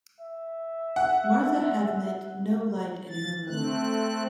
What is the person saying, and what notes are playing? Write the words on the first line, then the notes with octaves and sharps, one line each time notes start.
Marthe had lit no light in her room.
E5
F#5
A6
A3 C4 F#6